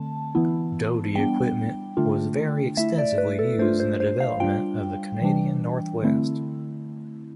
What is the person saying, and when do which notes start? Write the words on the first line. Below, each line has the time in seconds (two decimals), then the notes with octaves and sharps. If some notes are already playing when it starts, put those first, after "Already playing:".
Doty equipment was very extensively used in the development of the Canadian North West.
Already playing: D3 A3 C4 A5
0.35 E3 B3 E4
1.15 G3 B3 D4 G5
1.97 D3 A3 D4 F4
2.77 A3 E4 E5
2.98 D5
3.18 B4
3.39 A4
3.59 A3 D4 F4 C5
3.80 C5
4.00 C5
4.20 F5
4.40 G3 D4 F4 G5
5.22 E3 G3 D4
6.02 D3 A3 C4 E4